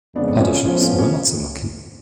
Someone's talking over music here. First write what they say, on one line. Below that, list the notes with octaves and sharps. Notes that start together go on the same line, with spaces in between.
Other ships were not so lucky.
F2 C#3 G#3 B3 D4
B3 D4
C#4 F4
C#4 F4
A2 F3 B3 C#4 F4
C#4 F4
C#4 F4